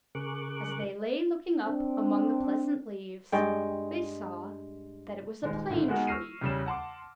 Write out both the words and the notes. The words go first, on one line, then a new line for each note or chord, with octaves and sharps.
As they lay looking up among the pleasant leaves, they saw that it was a Plane Tree.
C#3 G#4 A#4 C#6 D6 F#6
C4 D4
G2 G#3 G5
D#1 D#2 G#3
G#1 A2 D3 D#3
G#3 B3 D#4 F#4 G#4 A#4
C#6 E6 F6 A#6 C7 D#7
E2 C#3 G3 C#4 E7
F#5 A5 C6 D6